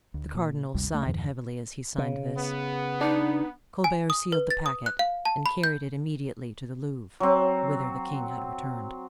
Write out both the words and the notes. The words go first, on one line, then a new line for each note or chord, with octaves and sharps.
The cardinal sighed heavily as he signed this; Colbert sealed the packet, and carried it immediately to the Louvre, whither the king had returned.
D2
A#2
G#1 D2 C3 G3
D2 A3
E2 G2 D#3 F3
C#3
B3
D4 D#4
G#5
D#6
B4
A6
D#6
F#6
F5
A5
B5
G6
F#3 C4